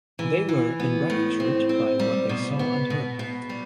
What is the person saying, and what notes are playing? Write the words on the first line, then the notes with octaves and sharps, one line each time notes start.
They were enraptured by what they saw and heard.
E3
E3
B3
A2
C4
C4
G3
B2
B3
B2
B2
G3